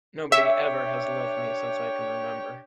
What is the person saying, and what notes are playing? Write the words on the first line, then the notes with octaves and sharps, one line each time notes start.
Nobody ever has loved me since I can remember.
D4 G4 C#5 E5